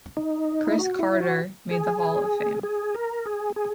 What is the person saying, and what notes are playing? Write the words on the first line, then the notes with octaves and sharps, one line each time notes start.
Cris Carter made the Hall of Fame.
D#4
E4
F#4
E4
F#4
G#4
G#4
A#4
G#4
G#4